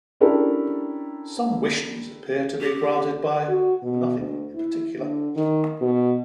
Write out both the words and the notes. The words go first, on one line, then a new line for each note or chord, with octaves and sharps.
Some wishes appear to be granted by nothing in particular.
C#4 D4 E4 G4 A4 A#4
G4
F#4
B2
D2
E4
D3
D#3
B2